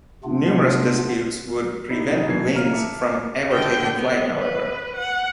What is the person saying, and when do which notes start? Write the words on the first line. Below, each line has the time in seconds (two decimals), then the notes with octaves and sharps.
Numerous disputes would prevent Wings from ever taking flight, however.
0.24 C3 A3 B3 D4 F4
1.90 D#4 E4 G4 D5 D#5
2.08 C3 D#3 D#4 E4
2.26 B2 E3 F#3 D4 G#6 C7
2.55 F5 A#5 F6
2.73 E5 A5 D6 C#7
3.04 D6
3.51 D3 G5
3.93 B3
4.40 B4
4.96 F#5